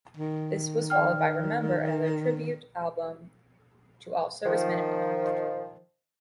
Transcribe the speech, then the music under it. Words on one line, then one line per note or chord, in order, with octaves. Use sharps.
This was followed by "Remember", another tribute album to all servicemen and women.
D#3
D5 G5 F6
D#3 F3